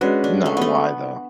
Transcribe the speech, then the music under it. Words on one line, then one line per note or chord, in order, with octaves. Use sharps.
Not why though
G#3 C#4 D4 F#4 B4
D4
A3
A3 B3